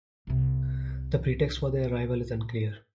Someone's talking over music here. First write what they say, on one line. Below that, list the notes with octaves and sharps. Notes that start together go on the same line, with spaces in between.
The pretext for their arrival is unclear.
C2 C3